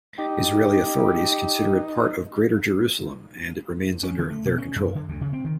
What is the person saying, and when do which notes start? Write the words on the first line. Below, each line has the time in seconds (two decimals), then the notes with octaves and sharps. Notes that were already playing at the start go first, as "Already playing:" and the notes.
Israeli authorities consider it part of Greater Jerusalem, and it remains under their control.
0.18 D#4 G4
4.03 C#4
4.19 D3
4.30 A3
4.46 B2
4.58 C#4
4.76 F#2
4.95 D3
5.09 D2
5.21 C#3
5.33 C4
5.45 D#3